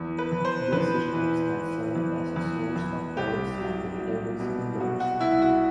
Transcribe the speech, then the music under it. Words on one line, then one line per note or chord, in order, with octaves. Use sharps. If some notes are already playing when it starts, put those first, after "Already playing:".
These systems can serve as a source of herbs and vegetables indoors.
Already playing: E2
B4
E2
C5
E2 B4
E3
E3
E2
E2
E2
C2 G4
F#3
F#3
B2
B2 F#4
F#4
C2 E4
F#4